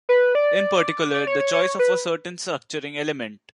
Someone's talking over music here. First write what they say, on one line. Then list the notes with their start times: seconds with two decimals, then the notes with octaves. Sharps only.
In particular, the choice of a certain structuring element.
0.09 B4
0.35 D5
1.14 D5
1.27 C#5
1.40 C#5
1.53 C#5
1.79 B4